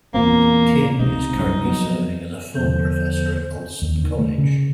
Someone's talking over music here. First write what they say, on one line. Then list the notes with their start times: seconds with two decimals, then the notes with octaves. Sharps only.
Kim is currently serving as a full professor at Ulsan College.
0.14 E2 A#2 A#3 C4
0.99 C#2 C3 D#4
1.35 C2 F#2
1.65 F2 F#3 B3
2.55 E2 D3 F3 C5
3.82 D#2
4.04 D#3
4.19 A3
4.38 C#3